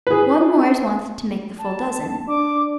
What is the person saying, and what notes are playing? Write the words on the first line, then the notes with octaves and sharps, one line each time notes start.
One more is wanted to make the full dozen.
G#4 B4
A5
D4 D6